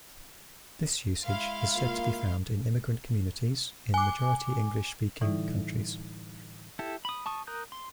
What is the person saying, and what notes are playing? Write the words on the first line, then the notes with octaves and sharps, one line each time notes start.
This usage is said to be found in immigrant communities in majority-English-speaking countries.
G#3 E4 F5 C6
A#3 F4
G#5 D6
A2 D3 E3 G3 D#4 E4
E4 G4 A4
B5 D#6
A5 C#6 D#6
A#4 A#5 D#6 F#6 G6
C6